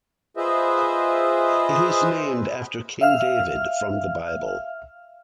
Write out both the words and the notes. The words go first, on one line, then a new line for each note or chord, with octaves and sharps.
It is named after King David from the Bible.
F4 G#4 B4 C5 D#5 E5
E5 F5 F6